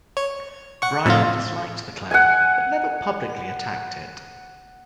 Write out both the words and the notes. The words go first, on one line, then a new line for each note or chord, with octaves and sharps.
Bryan disliked the Klan but never publicly attacked it.
C#5
F#5 C#6
F2 A2 F4
F#5 G#5